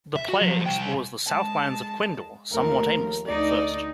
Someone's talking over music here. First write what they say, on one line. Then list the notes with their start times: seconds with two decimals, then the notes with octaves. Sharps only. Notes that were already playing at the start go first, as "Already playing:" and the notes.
The player explores the Southlands of Quendor somewhat aimlessly at first.
0.16 E5
0.28 F#4
0.41 F3 F#3
0.66 C2 G5
1.27 G#3 A5
2.51 D#2 F3 A3 A#4
3.26 D2 D#4 D5